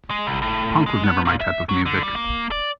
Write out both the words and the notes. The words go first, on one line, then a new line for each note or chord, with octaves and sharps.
Punk was never my type of music.
G#3
C2
A2
G#3
B3
A#2
E5
F#3
D3
G3
A#3
D5